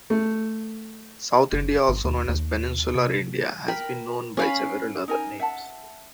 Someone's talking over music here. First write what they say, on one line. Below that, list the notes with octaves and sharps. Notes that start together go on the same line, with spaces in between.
South India also known as Peninsular India has been known by several other names.
A3
F#1
G#1
D#2
D#2
C3
A#4 G5 B5
C#4 F5 B5
D#4 A#4 G#5
E5 F#5 A5